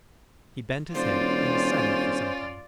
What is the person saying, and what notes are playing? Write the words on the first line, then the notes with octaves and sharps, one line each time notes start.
He bent his head and was silent for some time.
E1 C#4 F4 C5 D5